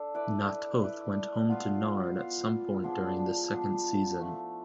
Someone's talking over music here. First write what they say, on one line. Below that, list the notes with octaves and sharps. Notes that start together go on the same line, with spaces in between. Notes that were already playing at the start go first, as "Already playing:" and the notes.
Na'Toth went home to Narn at some point during the second season.
Already playing: D4 A4
E4 B4 D5
E4 B4 D5
B3 F4 B4 F5
B3 F4 B4 F5
F3 B3 D4 G#4
F3 B3 D4 G#4
F3 A3 E4